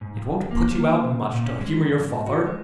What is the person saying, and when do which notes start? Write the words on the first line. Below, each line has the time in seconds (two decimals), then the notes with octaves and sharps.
It won't put you out much to humor your father!
0.01 G#2
0.16 F2
0.51 A#3
0.70 A#3
1.05 C#3
1.32 A#2
1.46 C#4
1.61 G#3
1.88 F2
2.03 G#2
2.26 F#4
2.47 G#3